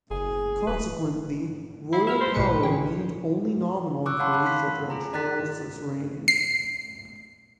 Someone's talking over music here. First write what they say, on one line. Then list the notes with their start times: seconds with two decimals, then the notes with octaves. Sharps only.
Consequently, royal power remained only nominal in Croatia during Charles's reign.
0.11 F#1 G#4
0.67 D1 B4
1.93 E4 C7
2.07 E4 E6 F6 B6
2.21 C5
2.35 B1 A2 B4 C#7
2.63 E3 C#4 G4
4.06 C#6 D6 E6 F#6
4.19 C#5 F5 F#5 A5 B5 C6
4.33 F5 A5 B5 F#6
4.44 C6 B6
4.90 F4 G#4 A#5
5.13 D5 A#5 F#6 A6 B6
6.28 C7